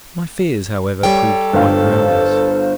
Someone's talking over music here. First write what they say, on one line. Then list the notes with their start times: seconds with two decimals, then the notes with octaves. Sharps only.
My fears, however, proved quite groundless.
1.03 G3 A4 C#5 G5
1.53 G1 C5 F5